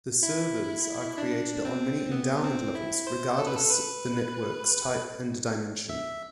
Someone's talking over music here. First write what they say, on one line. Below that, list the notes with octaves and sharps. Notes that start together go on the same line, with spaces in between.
The servers are created on many endowment levels regardless the networks type and dimension.
E4
D4
C4
B3
C4
E4
C5
A4
B4
A4
B4
E5